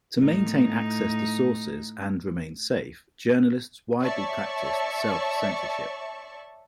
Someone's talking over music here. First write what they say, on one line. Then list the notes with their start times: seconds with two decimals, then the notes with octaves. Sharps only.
To maintain access to sources and remain safe, journalists widely practiced self-censorship.
0.19 A2 D#4
4.02 C#5 D5 E5 A5 C#6